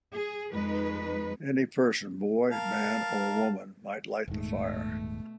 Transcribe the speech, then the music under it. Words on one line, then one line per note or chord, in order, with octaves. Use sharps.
Any person, boy, man, or woman, might light the fire.
G#4
F2 G#3 D#4 B4
A#4 F5 A5
D#1 G#2 B2 A3